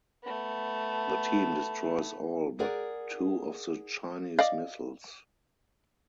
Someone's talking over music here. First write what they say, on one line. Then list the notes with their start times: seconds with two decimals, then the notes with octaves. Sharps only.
The team destroys all but two of the Chinese missiles.
0.23 A3 B3
2.59 G#4 A#4 D5 F#5
4.39 D5 D#5 F5